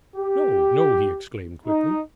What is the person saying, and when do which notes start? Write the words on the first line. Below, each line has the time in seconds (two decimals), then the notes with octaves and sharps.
"No, no," he exclaimed quickly.
0.17 G4
1.66 D#4